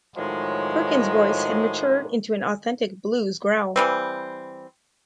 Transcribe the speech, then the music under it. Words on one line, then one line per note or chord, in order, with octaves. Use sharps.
Perkins' voice had matured into an authentic blues growl.
A2 D#3 F3 F#3 G#3
E3 G3 C4